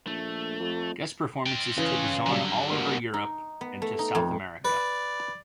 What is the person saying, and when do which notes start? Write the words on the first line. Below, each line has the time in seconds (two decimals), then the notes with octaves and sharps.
Guest performances took Zaun all over Europe and to South America.
0.07 A#1 A3
0.59 F2
1.46 F4 G5 D7
1.78 C#3 E3
2.26 G2 D3 F#3 G3
2.72 A#3 F#4
3.14 D#4
3.61 B3
3.82 A3
3.99 D#4
4.15 F2
4.65 B4 D5